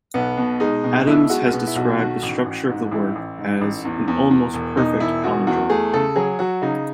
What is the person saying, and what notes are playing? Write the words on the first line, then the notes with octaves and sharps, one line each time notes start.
Adams has described the structure of the work as an "almost perfect palindrome".
B1 B3
B2
G#3 D#4
B2
B1 E4
G#3 F#4
B2 B3
E4
B1 F#4
D#3 F#4
A1
A1
G#2
A1 E4
A1
G#2
A1
E2
E2
E2
E1
B2 D#4
E1 E4
E2 F#4
E2 F#4
A3 G#4
C#3 A4
F#3 G#4
F#3 F#4
C#3 D#4